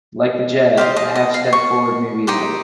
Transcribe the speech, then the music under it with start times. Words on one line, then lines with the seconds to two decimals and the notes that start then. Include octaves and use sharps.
Like the jab, a half-step forward may be added.
0.77 G4 C5 D#5 F5
0.96 D#5
1.15 D#5
1.34 F5
1.53 C#6
2.27 D#4 G4 C5